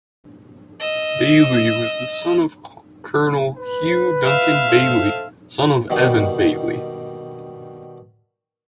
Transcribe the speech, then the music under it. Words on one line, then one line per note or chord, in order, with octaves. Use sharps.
Baillie was the son of Colonel Hugh Duncan Baillie, son of Evan Baillie.
D#5 E6
B4
E5 F5
A4 C5
B2 D#3 G3